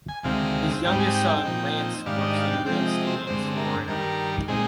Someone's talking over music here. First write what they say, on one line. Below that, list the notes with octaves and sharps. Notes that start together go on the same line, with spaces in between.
His youngest son Lance works in real estate in Florida.
G#5
D2 C3 D#3 G#3 C4 F5
G#2 G3 C4 D#4 G5
G#5
G5
G#5
G5
A#2 F3 C4 D#4
G#2 D#3 G3 D4 F5
D#5
F5
G5
C3 F3 G#3 C4 G5
D#5
C5
G2 D3 G#3 C4 C5
A#4
G2 D#3 G3 A#4
A#2 G#3 C4 D#4 G#4